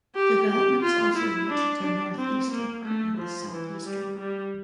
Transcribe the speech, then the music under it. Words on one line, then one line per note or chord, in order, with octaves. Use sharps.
Developments also reached the northeastern part and the southeastern part.
G4
G4
F4
E4
D4
D4
C4
A#3
A3
F3
E3
G3
G3